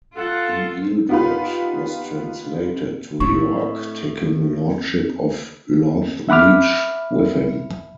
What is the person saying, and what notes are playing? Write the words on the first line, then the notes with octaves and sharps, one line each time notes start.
In Ealdred was translated to York, taking lordship of Lorthleach with him.
F4 A4 F#5
B3 D#4 F4 G4 B4
A2 C4 D4 E4 C#6
E5 F#5 B5 D6 F6